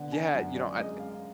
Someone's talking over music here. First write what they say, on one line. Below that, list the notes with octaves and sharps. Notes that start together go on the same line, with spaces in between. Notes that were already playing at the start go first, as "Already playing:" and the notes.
Yeah, you know, I
Already playing: D3 B3 F#5
G#5
F#2 F#5
D5
G#3 D#5
F5